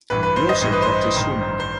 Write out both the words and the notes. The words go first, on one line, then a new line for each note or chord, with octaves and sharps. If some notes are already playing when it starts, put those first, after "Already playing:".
He also practiced swimming.
A1 G2 E3 B4
B4
C5
D#5
A1 G2 E3 C5
B4
C5
A1 G2 D#3
C5